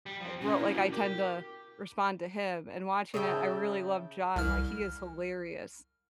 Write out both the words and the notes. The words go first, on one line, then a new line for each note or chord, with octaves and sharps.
like, wrote like, I tend to respond to him and watching it, I really love John, like, he is hilarious.
G3
F3 C4
B2 A#3 C#4
E4
F#4
G4 A#4
C#3 E5 G5 A5
C2 F6